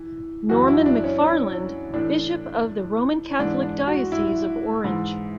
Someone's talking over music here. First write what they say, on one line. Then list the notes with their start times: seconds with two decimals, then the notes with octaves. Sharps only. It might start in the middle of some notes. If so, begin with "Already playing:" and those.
Norman McFarland, Bishop of the Roman Catholic Diocese of Orange.
Already playing: E3
0.49 F#2 E3 F#4
0.68 E4
0.86 D4
1.04 C#4
1.22 D4
1.93 A2 E3 D4
3.39 G#2 E3 D4
3.63 D4
3.87 F#4
4.12 E4
4.84 G#2 E3